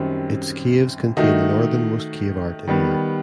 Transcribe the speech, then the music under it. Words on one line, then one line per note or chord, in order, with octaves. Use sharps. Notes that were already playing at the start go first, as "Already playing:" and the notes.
Its caves contain the northernmost cave art in Europe.
Already playing: F#2 D#3 G3 C4
D#3 A3 D#4 F#4
D#3 G3 B3